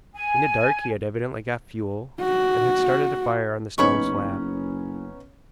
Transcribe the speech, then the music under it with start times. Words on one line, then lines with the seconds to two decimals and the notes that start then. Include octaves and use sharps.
In the dark he had evidently got fuel, and had started a fire on the stone slab.
0.15 G#5
2.20 F#4
3.78 F#1 B3 C#4 D#4 C#5 B5 C#6